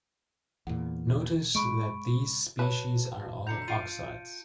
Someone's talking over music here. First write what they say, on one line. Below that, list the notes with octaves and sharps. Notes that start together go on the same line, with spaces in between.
Notice that these species are all oxides.
E2 A#2 F#5
G#3 B5 C#6 D7
F#3 B4 A5
D3 A#5 G6 C#7
F4 F5 D7 D#7